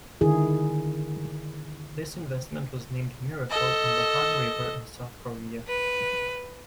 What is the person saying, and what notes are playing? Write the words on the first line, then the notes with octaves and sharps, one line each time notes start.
This investment was named Miracle on the Han River in South Korea.
D3 D#3 E4 G#4
A4 D#5
B4